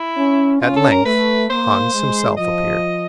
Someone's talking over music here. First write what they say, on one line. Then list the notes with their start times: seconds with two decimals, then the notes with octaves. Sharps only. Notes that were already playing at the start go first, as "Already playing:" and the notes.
At length Hans himself appeared.
Already playing: E4
0.18 C#4
0.61 C#4 F4
0.76 A4
0.91 A#4
1.05 A3 B4
1.49 A#3 C5
1.93 G#3
2.37 F3 D#5